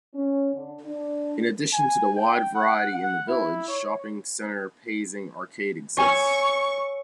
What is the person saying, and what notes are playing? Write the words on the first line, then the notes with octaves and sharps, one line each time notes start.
In addition to the wide variety in the village shopping center Pasing Arcade exists.
C#4
D3
D4
G#5
G5
F#5
F#5
E4
C#5
C#5 G#5 C#6 E6